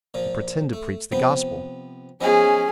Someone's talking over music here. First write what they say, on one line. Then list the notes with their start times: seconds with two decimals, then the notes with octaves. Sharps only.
He pretend to preach the gospel!
0.14 A#2 F3
0.73 A3
1.12 C3 F3 B3
2.21 F3 B3 C#4 G#4 D#5